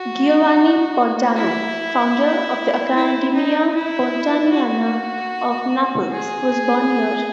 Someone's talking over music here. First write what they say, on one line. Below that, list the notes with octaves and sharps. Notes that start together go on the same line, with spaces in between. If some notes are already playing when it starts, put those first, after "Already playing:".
Giovanni Pontano, founder of the Accademia Pontaniana of Naples, was born here.
Already playing: F#4
E4
E4
D#4
E4
F#4
G#4